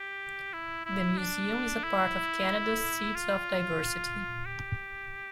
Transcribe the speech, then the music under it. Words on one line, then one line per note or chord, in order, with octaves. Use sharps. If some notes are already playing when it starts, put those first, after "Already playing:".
The Museum is a part of Canada's Seeds of Diversity.
Already playing: G4
E4
E4
D4
E4
F4
G4